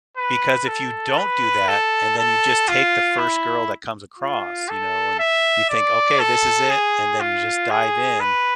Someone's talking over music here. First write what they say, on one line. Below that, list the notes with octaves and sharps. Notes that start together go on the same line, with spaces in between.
because if you don't do that, and then you just take the first girl that comes across, you know, and you think, "Okay, this is it," and then you just dive in,
B4
A4
B4
A4
A4
F4
E4
F4
A4
E5
D5
A4
G#4
F4
G#4
B4